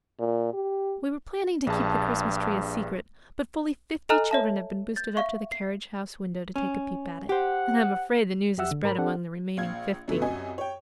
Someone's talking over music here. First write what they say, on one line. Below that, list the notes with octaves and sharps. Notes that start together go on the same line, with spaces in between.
We were planning to keep the Christmas tree a secret, but fully fifty children have been boosted up to the carriage house window to take a peep at it, and I am afraid the news has spread among the remaining fifty.
A#2
G4
A#1 G2 G#4 A5
A4 D#5 G#5 A#5 F6 F#6
C#5 E5 A5
G6 A6
E5 F5 C#6
C7
C#4
G4 C5 F#5
F2 G4 E5 F#5 E6
D3
G#2 A#4 B5
C4 D4 G4 A4 F#5
A#1 F5 G#6
F#2 B2 D3 A3 B3
C2 F#2 D#5 G#5
C#5 G5